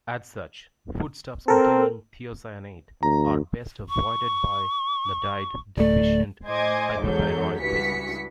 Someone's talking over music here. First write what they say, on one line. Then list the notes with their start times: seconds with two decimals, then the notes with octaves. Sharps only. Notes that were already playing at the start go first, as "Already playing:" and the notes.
As such, foodstuffs containing thiocyanate are best avoided by Iodide deficient hypothyroid patients.
1.48 C4 A4 A#4
3.03 D2 A#5
3.89 C#6
5.77 D1 A3 D5
6.46 A2 C5 D#5 G#5 D6 G#6
6.99 E2 G#2 F#3 A4 G6
7.60 C#2 G2 E3 F#4 B6 C#7